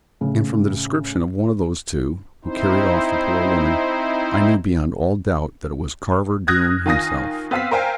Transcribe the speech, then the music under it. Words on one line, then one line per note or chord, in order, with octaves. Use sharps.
And from the description of one of those two, who carried off the poor woman, I knew beyond all doubt that it was Carver Doone himself.
A2 C#3
C4 D#4 E4 C5
D#6 F6 F#6 G#6 A#6
D#3 F4 G#5 D#6 A#6
B3 C4 F5 E6 B6
A#4 C5 F5 G5 G#5